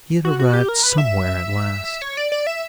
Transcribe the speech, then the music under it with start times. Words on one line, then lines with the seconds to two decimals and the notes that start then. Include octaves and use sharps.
He had arrived somewhere at last.
0.25 F#4
0.39 F#4
0.53 G4
0.69 A#4
0.83 B4
0.98 E5
2.02 C#5
2.17 D5
2.32 D5
2.47 E5